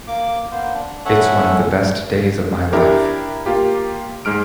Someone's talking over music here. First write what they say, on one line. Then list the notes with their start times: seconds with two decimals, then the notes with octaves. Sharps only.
It's one of the best days of my life.
0.07 A#3 D6
0.51 A#3 B3 C5
0.74 D4
1.05 B3 C#4 A4 C#5 E5 F#5
2.73 D4 E4 G4 A#4
3.46 A#3 F4 G4
4.25 G#2 G#3 F6 D7